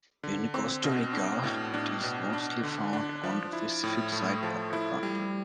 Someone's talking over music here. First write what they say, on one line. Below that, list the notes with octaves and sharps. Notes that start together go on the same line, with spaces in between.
In Costa Rica, it is mostly found on the Pacific side of the country.
D3
C4
B2
D4
A2
D4
B2
D4
D3
D4
F3
E4
A2
A3
F3
E4
G3